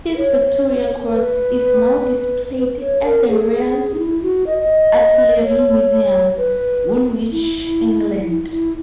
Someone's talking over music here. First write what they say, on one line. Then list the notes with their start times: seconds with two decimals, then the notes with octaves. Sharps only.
His Victoria Cross is now displayed at the Royal Artillery Museum, Woolwich, England.
0.14 B4
0.18 C#5
1.13 B4
2.57 B4
2.80 C#5
3.03 A#4
3.28 G#4
3.94 D#4
3.99 E4
4.23 F#4
4.47 D#5
4.61 D#5
5.42 C#5
6.37 B4
7.32 E4
8.28 E4
8.51 E4